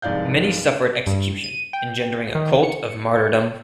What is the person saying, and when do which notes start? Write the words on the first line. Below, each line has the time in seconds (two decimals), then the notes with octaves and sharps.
Many suffered execution, engendering a cult of martyrdom.
0.02 F1 C2 G#2 D5 F5 G6
1.07 G2
1.44 D#7
1.73 G5
2.35 D#3
2.63 C#7